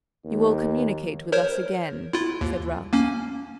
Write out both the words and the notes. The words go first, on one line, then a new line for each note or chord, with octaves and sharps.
'You will communicate with us again?' said Ralph.
D#2
A#4 C5 C#5
E4 F4
D#2
A#3 C#4 G#5